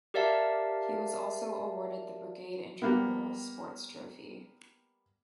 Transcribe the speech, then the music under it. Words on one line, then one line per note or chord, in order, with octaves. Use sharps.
He was also awarded the Brigade Intramural Sports Trophy.
G4 A#4 D5 E5 F5 A5
G3 A#3 B3